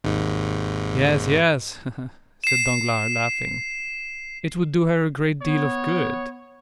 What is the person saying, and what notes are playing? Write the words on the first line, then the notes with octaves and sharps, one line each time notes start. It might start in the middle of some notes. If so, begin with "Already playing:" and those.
"Yes, yes," said Danglars, laughing, "it would do her a great deal of good."
G#1 D#2 G#2
C7 E7
B3 C#5